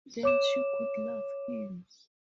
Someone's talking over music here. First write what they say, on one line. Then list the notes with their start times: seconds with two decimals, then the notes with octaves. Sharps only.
Then she could love him.
0.23 C#5 D6 E7